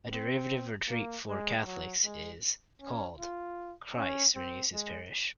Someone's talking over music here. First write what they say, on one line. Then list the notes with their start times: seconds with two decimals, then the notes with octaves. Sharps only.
A derivative retreat for Catholics is called "Christ Renews His Parish".
0.12 C4
0.89 A#3
1.28 G#3
1.66 F#3
2.05 G#3
2.81 C#4
3.19 F4
3.97 C#4
4.35 C4
4.73 G#3